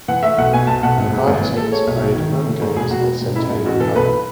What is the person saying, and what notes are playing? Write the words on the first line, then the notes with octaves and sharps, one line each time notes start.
Nevada teams played home games at Centennial Park.
E3 F#5
A3 E5
B1 F#5
B2 G#5
B1 A5
B1 F#5
G#1
G#2
G#1
E3
G#3 A4
G#3 C#5
B1
B1
D#3
A3
A3
G#2
E1 G#4
E1 F#4
E1
E1
A1 E4
G#2
A1 F#4
E3 A4
B1 B4